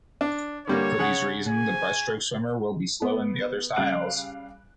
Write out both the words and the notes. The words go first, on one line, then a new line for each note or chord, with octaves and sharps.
For these reason the breaststroke swimmer, will be slow in the other styles.
D4
D3 G3 A#3 C#5
C#3 G#4 F#5
G#5
B3
C#3 G3 F5 F#6 D7